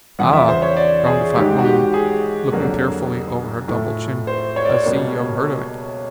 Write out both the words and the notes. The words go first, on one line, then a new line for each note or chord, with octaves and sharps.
"Ah!" groaned the fat woman, looking tearfully over her double chin, "I see you have heard of it."
E2 C#3 F3 F#5
E5
C5
C#5
D5
G#4
G#2 D#3 G#3 G4
F#4
G4
G#4
F2 D3 F#3 A#3
A2 F3 A3
C5
C#5
D5
C#5
C#2 B2 G3 A#3